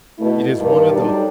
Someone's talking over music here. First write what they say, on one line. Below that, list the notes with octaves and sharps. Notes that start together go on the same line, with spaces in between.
It is one of those.
B2 A3 E4
G2 D#3 A#3
F#3 G3 D4 D#4 A4 D5